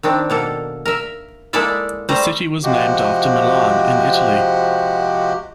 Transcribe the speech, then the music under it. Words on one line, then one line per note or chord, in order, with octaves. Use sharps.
The city was named after Milan, in Italy.
D#3 C4 D4
B2 A#3 A4
A#4 E5
G#3 A#3 E4 A4 D5 E5
G3 A3 C5 A#5
C3 F3 G#3 F#4 G4